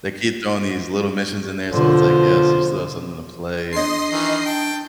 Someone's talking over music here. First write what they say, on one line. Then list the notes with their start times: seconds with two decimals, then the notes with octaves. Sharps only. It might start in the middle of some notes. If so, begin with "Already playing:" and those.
they keep throwing these little missions in there, so it's, like, yes, you still have something to play and
1.73 B2 D3 F3 C5
3.73 D4 D#5 C6 C7
4.11 D#3 E3
4.45 G5 A5